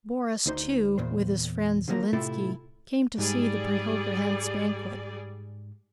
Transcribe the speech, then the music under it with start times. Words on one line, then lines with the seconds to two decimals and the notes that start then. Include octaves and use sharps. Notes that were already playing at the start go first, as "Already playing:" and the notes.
Boris, too, with his friend Zhilinski, came to see the Preobrazhensk banquet.
0.46 D2 D#4 C5 C6
0.98 E2 A#2 C5
1.88 D3 F3 F#3 A3 A#3
2.13 A2 C3 A3 E4 F4 A4
3.18 G#2 G3 G#4 D5